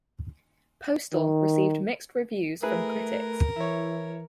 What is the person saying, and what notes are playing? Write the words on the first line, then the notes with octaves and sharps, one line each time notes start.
"Postal" received mixed reviews from critics.
D#3
A3 E4 G#4 A#4 B4
E3 E4 C#5